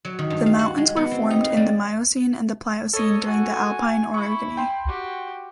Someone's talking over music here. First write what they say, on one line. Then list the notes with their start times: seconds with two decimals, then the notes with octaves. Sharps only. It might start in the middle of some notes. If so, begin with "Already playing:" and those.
The mountains were formed in the Miocene and the Pliocene during the Alpine orogeny.
0.05 F#3
0.19 D#3
0.30 G2
0.46 F5
0.59 F#4
0.78 G#3
0.96 B3
1.11 C4
1.31 D#4
1.44 F5
1.57 G3
2.93 A4 C#5 D#5
3.24 F#4 G#5
4.14 E4 B5 C#6
4.57 G5 C6
4.87 F#4 G4